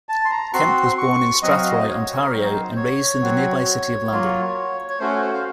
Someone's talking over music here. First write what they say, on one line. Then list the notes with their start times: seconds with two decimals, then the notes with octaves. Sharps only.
Kemp was born in Strathroy, Ontario and raised in the nearby city of London.
0.09 A5
0.25 C6
0.31 A#5
0.54 C4 F#4 C6
0.98 C#6
1.43 F#3 C4 F#4 D#5
1.56 F5
1.69 D#5
1.82 C5
1.87 C#5
2.22 A#4
2.32 F#3 C4 D#4 C5
2.76 C#5
3.21 F#3 C4 F#4
4.10 F#3 A#3 F4
4.89 C#5
5.00 A3 C#4 F#4 C5
5.22 C5
5.33 F5